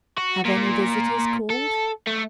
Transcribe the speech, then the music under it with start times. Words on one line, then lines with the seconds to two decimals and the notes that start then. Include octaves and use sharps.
"Have any visitors called?"
0.18 F#4
0.46 A#2
1.50 A4
2.07 A3